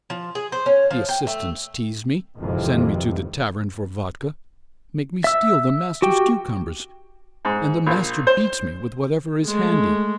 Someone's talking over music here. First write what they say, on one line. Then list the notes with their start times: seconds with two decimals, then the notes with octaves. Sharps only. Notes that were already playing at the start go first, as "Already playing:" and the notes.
The assistants tease me, send me to the tavern for vodka, make me steal the master's cucumbers, and the master beats me with whatever is handy.
0.10 F3
0.35 G#4
0.52 C5
0.66 C#4
0.91 F3
1.09 G5
1.27 A3
2.38 G#1 F2 C3 D#3 E3
5.24 E5 E6
6.02 F#4 G4 G5
7.45 G#2
7.86 A#1
8.27 C5
9.45 G#3 A3